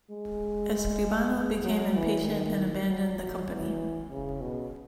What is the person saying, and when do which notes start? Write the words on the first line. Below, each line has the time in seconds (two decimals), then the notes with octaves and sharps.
Escribano became impatient and abandoned the company.
0.10 G#3
1.65 F#3
1.95 E3
2.25 D#3
2.88 F#3
3.49 E3
4.10 C#3
4.41 B2